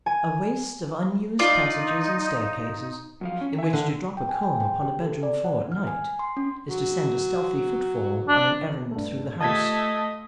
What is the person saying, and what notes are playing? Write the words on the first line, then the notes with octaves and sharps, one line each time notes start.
A waste of unused passages and staircases in which to drop a comb upon a bedroom floor at night is to send a stealthy footfall on an errand through the house.
G#5
D#4 F4 D5
F#2 F3 F5
C#4
E5 G#5
D3 D#3
G5
G#5
G5
G5
G4
A4
D5
F#5
F6
G#5
C6
C#4
F#3
D4
G2 A3
A3 F4 G4 D#5 A5 G#6 B6